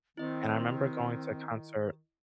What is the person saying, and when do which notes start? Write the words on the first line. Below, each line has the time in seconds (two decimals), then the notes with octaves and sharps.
and I remember going to a concert
0.17 D#3 C4 E4 D#5